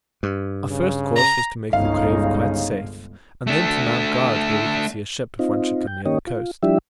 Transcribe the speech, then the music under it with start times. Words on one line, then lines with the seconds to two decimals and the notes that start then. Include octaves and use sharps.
Our first course was to make the cave quite safe, and then to mount guard where we could see a ship if one should come near the coast.
0.23 G2
0.70 C#3
1.15 A#5
1.73 G1 C2 C#3 G#3 D#4 F5
3.47 A3 D4
5.39 C4 D#4 F4
5.87 G5
6.06 D#3 A#3 C#4 G4 C#5 D#5
6.27 F4
6.63 F3 G3 D4 E4 G4 E5